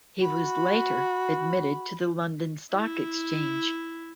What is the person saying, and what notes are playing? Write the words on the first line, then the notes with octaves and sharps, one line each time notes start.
He was later admitted to the London Stock Exchange.
F#4 B5
E4